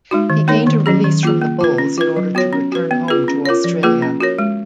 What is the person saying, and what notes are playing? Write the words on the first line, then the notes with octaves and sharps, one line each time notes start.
He gained a release from the Bulls in order to return home to Australia.
G#3 D#4 F#4
D#3
A#3 D#4 A#4 C#5
D#3
F#3 C#4 G#4
D#3
A#3 F4 G#4
A#3
F4 B4
C#4
F4 B4
F#3
B3 F#4 C#5
C#4
F#4 B4
B3
F4 G#4 B4
C#4
F4 A#4 C#5
F3
A#3 F4 G#4 B4
C#4
F#4 A#4 C#5
G#3